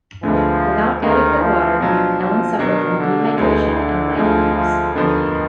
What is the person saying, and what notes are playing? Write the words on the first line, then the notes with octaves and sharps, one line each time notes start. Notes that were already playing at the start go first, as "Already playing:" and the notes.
Without adequate water, Allen suffered from dehydration and leg cramps.
D2 D3 F3 G#3 B3
D2 D3 D#3 G#3 B3
F3
B2 F3 F#3 D4
F3
B2 D#3 F#3 D4
D3
D2 B2 D3 G#3 D#4
D3
D2 D3 F3 G#3 D#4
F3
D#2 D3 D#3 F3 B3